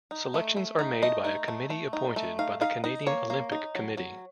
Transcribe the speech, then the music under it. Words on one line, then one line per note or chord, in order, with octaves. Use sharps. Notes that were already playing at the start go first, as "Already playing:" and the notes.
Selections are made by a committee appointed by the Canadian Olympic Committee.
D#4
A3
A3
D#4
A3 D#5
D#4
A3
A3
D#4
A3
D#4 F5
D#4 F5
D#4 D#5
A#3 C#5
A#3
D#4
F#3
F#3